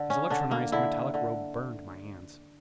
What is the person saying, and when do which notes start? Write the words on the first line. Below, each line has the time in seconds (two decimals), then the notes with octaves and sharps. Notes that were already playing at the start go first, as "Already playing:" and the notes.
His electronized metallic robe burned my hands.
Already playing: D3
0.10 C#4
0.30 D3 D4
0.51 A#3
0.72 D3 E4
1.14 D3